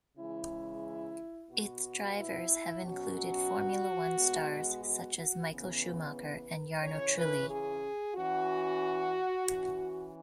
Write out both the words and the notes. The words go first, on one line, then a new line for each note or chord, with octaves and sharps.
Its drivers have included Formula One stars such as Michael Schumacher and Jarno Trulli.
C#3 E3 G#3 E4
B2 B3 F#4
E4
B2 F#3 C#4 F#4
B2 G#3 B3
F#4
F#4
C#3 E3 B3
B4
C#3 E3 C#4 C#5
B4
G#4
E3 C#4 F#4
E3 C#4